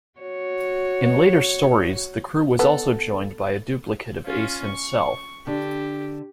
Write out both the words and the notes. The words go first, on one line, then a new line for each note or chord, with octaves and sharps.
In later stories, the crew was also joined by a duplicate of Ace himself.
F#4 C#5
B3 A4
C#4 F4
C#6
D3 D4 G4